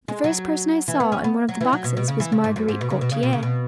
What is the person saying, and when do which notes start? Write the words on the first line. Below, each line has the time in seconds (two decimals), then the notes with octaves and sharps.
The first person I saw in one of the boxes was Marguerite Gautier.
0.08 G#3
0.24 F#3
0.88 E3
1.00 B3
1.12 C#4
1.24 B3
1.49 F#3
1.61 E3
1.73 F#3
1.84 B2
1.97 B2
2.08 C#3
2.20 E3
2.32 C#3
2.44 G#2
2.56 F#2
2.68 G#2
2.81 B2
2.90 C#3
3.01 B2
3.12 C#3
3.23 B2
3.33 C#3
3.43 B2